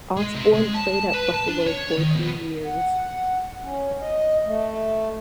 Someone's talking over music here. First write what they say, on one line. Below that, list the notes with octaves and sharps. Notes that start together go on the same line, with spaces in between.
Osborn played at Buffalo for three years.
G#3
C3
G#3
A5
B4
A5
D4
C#5
D#3
B2
F#5
C#4
D#5
A3